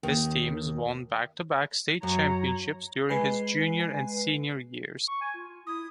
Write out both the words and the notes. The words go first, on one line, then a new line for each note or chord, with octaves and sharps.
His teams won back-to-back state championships during his junior and senior years.
D#2
F#2 C#5 A#5
G#3 B4 G#5 C7
C#6
G#5
F4
E4 D#6